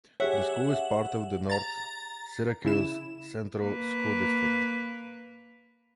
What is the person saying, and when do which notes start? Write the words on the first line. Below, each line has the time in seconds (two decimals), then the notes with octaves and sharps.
The school is part of the North Syracuse Central School District.
0.20 G4 G#4 C#5 E5 F#5
1.50 A#5 A6
2.65 C#3 E4 E7
3.60 A#3 B4